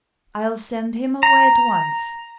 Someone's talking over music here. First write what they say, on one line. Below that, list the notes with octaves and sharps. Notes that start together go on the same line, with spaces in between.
I'll send him away at once.
A#5